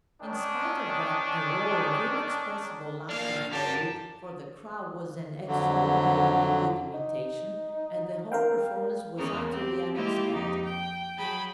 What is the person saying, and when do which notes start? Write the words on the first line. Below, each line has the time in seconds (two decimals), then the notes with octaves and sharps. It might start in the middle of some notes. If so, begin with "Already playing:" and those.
In spite of that, a roar of inexpressible laughter followed, for the crow was an extraordinarily good imitation, and the whole performance was utterly unexpected.
0.22 D#3 C#4 D4
3.09 A#3 D4 F5
3.51 F#4 G4 A#4 A5
5.48 F2 D3 F#3
6.94 D#4
8.32 A#4 F5 G5
9.16 E2 C#3 A#3 B3
9.49 C4 G4
9.94 G#3 A#3 E4 F4 G4
10.30 F2 D#4 G4
10.64 G5
11.17 F#3 G#4 G5 A5 B5